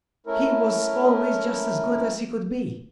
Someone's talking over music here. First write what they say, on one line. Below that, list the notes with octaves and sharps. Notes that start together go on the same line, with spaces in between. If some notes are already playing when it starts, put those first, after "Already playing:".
"He was always just as good as he could be!"
A3 C#4 E4 A#4